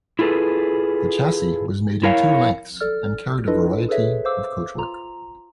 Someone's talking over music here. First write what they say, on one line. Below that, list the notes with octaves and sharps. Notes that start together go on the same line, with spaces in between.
The chassis was made in two lengths and carried a variety of coachwork.
E4 F4 G#4 A4 B4
E4 A#4 C#5 F5
A4 D5 F6
D4 E4 F4 A4 B4 D#5
G#4 A4 B4 C#5 E5
C5 F5 D6 E6
F4 A#5